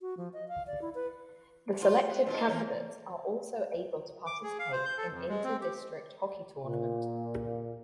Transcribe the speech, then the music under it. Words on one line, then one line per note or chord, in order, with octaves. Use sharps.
The selected candidates are also able to participate in Inter District Hockey tournament.
F#4
F3
D#5
F5
D5
E4
B4
F4
B3
G#2 B2 F4
E3 A#3 C#5
D6
G#4
F5
C5
G6
A4
F2
G#3
C4
G4
A#2